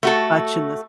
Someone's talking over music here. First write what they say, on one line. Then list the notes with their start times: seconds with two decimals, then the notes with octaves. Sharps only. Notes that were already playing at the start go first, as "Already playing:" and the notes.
much in this
0.03 A3 F#4 A4